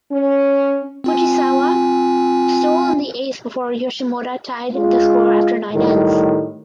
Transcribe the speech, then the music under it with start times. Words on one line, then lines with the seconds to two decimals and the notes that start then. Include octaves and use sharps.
Fujisawa stole in the eighth before Yoshimura tied the score after nine ends.
0.11 C#4
1.04 C4 F4 G#5
4.74 G#3 F4
5.73 A2 D#3 G3